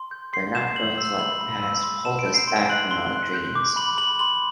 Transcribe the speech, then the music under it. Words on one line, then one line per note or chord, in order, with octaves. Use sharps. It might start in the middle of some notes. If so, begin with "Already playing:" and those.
We’re not going to let the past hold us back from our dreams.
Already playing: C6
G6
C6 C7
G6 E7
G6 F#7
E6
B5 F#7
B5
E6
C6
A5 E7
D7
G6
C7
C6 D7
F#6 F#7
C6 G7
F#6
G6
D6
B5 F#7
B5 F#7
C6 F#7